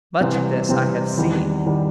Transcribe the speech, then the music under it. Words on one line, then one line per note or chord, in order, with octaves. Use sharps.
Much of this I have seen.
C3 E3 G3 C4
C3 E3 G3 C4
E2 D#3 G3
D#3 G3